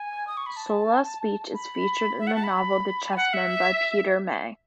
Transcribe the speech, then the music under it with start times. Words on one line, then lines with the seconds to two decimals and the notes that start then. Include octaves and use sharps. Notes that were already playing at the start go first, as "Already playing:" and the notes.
Sollas beach is featured in the novel The Chessmen by Peter May.
Already playing: G#5
0.27 D#6
0.37 C#6
0.46 B5
0.57 A5
1.54 B5
2.19 E5
2.27 F#5
2.35 A5
2.43 B5
3.13 G#5
3.16 F#5
3.33 E5